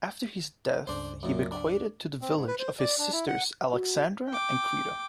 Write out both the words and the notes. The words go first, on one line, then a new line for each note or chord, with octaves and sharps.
After his death he bequeathed to the village of his sisters Alexandra and Creata.
C#2 G2 C#3 D4 C5
F#2 A#2
D4
C4
G#2
B4
C5
D5
D4
E4
F#5
F#4
G5 D6